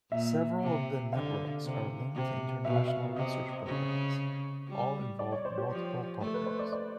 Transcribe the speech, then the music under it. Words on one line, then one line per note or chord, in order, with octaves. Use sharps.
Several of the networks are linked to international research programs; all involved multiple partners.
A#2 E5
C3
D3 F5
C3
C3
B2 E5
F5
E5
C3 D#5
C#3
G3
D5
C#5
C5
G4
F3
A3
B4
C5
D5
D5